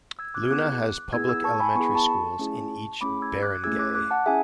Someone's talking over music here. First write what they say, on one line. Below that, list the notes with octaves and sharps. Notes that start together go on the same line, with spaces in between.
Luna has Public Elementary schools in each barangay.
E6 G#6
D6 F#6
G#6
B3 E4 G#4 D6 F#6
B3 E4 G#4 E6 G#6
E6 G#6
A5 C#6
G#5 B5
B3 E4 G#4 C#6
B5
A5 C#6
A3 C#4 E4 G#4
A3 C#4 E4 G#4 B5 D6
E6 G#6
G#6
D6 F#6
A3 C#4 E4 G#4 E6 G#6
D6 F#6
D6 F#6
F#5 A5
C#4 E4 G#4 E5 G#5